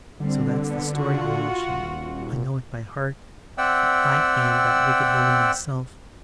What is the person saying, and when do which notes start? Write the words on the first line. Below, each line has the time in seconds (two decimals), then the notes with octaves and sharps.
So that's the story, Alyosha; I know it by heart, for I am that wicked woman myself.
0.20 D3 G3 C4
0.66 B3
0.99 F4 F#4
1.69 D#1
3.58 C4 D5 E5 F#5 G5 E6